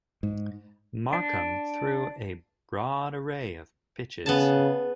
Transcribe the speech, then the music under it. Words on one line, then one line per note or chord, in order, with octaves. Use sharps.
Marcum threw a broad array of pitches.
G#2
D4
C#3 B3 G#4 A5